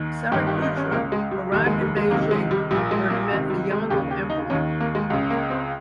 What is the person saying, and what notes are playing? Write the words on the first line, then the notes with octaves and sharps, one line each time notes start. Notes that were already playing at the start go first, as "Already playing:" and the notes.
Sariputra arrived in Beijing where he met the Yongle Emperor.
Already playing: D#2 D#3
G1 G2 D#3 G4
G4
D#4
C#4
C#2 C#3 A#3
G#3
G3
F1 D#2 D#3 G3
G#3
G3
G#3
C#2 C3 D#3 A#3
G#3
G3
A#1 A#2 G3
G#3
A#3
C#2 C3 D#3
G3
G#3
D#2 C#3 G4
G4
D#4
D#2 D#3 C#4
A#3
G#3
C#2 C#3
A#3
C4